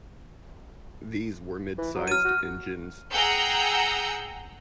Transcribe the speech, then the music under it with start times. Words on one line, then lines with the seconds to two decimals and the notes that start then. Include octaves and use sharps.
These were mid-sized engines.
1.78 E3
1.96 F#3
2.07 F6 D#7
2.25 F#4
3.11 G#4 F#5 G5 A#5 E6 G6